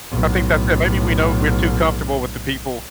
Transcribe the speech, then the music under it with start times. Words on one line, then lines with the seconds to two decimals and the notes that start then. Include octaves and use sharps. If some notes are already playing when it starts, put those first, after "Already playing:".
I think that's it, maybe we know we're too comfortable with the people
0.10 B1 A2